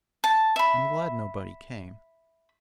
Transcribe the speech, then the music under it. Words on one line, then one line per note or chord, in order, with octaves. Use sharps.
I'm glad nobody came.
A5
E5 B5